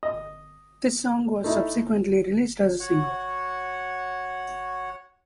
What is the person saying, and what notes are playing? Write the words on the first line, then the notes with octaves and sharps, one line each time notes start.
This song was subsequently released as a single.
D#5
A3 D#4 E4
F#4 C#5 F#5